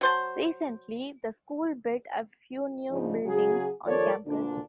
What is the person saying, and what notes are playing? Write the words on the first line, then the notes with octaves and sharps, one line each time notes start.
Recently, the school built a few new buildings on campus.
F#3 C5 A5
G#2 C#3 F3 D4 D#4
C#3 F#3 F#4 G#4
D#2 F3 A4 A#4 C#5 D5
D2 A#2 D3 D4